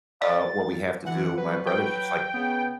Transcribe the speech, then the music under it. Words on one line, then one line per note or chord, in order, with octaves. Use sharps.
"Uh, what we have to do" my brother's just like,
D5 A6
E2 D3 E3 F#5
F#3 B4
G5
C#3 B3